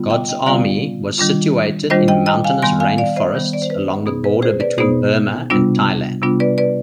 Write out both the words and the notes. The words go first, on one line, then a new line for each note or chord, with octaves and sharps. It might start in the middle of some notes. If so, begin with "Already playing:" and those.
God's Army was situated in mountainous rainforests along the border between Burma and Thailand.
Already playing: D3 G3 B3 F4
D#5 G5
D#5 G5
D3 G3 B3 F4 D5 F5
D#3 G3 D4 F4
D#3 G3 D4 F4 C5 D#5
D#5 G5
D#5 G5
F5 G#5
D#3 G3 B3 G#5 C6
F5 G#5
D5 F5
C5 D#5
D#3 G3 B3
D5
C5
B4
B2 B3 D#4 G#4
B4
G#4 C5
B4 D5
B2 B3 D#4 G#4 C5
C3 G3 B3 D4 F4
C3 G3 B3 D4 F4
B4 D5
B4 D5